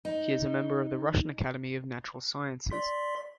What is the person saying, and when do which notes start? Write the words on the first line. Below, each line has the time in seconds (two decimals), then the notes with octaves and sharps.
He is a member of the Russian Academy of Natural Sciences.
0.05 D#4
2.71 D5 C6 B6